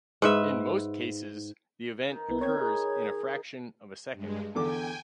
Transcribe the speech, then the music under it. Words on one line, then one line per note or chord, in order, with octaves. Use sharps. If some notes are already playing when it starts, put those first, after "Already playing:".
In most cases, the event occurs in a fraction of a second.
G#2 B4 E5
D#3
C2 B3 E4
D#3 C4 G#4 C#5 G#6
G#4 A#4 B5
G2 G#3
E2 D3 G5 G#5 D6